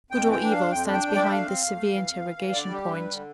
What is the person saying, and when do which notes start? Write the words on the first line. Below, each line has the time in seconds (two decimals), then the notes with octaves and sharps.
Good or evil stands behind this severe interrogation point.
0.10 F2 G5
0.26 E3
0.32 G5
0.42 D4
0.51 F5
0.56 F2
0.71 F2 G5
0.86 D4
0.93 G5
1.02 F2
1.16 D4 D5
1.24 E5
1.31 A3 F5
1.46 C4
1.61 F2
1.76 A3
1.91 E3
2.06 F2
2.22 E3
2.36 E3
2.52 D3 D5
2.66 G3
2.72 G4
2.82 G2
2.92 G3 B4
3.12 D3